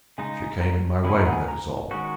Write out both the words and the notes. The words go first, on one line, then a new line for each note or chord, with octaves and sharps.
She came in my way, that is all.
C#3 G#3 D#4 G#5
A#5
C#3 E3 A#3 E4 G#4 B5
A#5
F#5
G#5
A#5
D#3 G#3 C#4 F#4